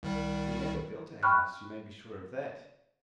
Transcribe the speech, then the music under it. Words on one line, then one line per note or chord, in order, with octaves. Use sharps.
He never built a house, you may be sure of that.
C2 D#3 G3
G5 B5 C#6 F6 F#6